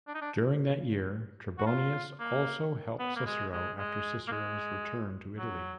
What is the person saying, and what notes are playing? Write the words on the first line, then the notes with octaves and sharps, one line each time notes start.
During that year, Trebonius also helped Cicero after Cicero's return to Italy.
D4
D#4
D4
F#4
F4
A#3
B3
A#3
G#3
G#3
G#3
A#3
G#3
F#3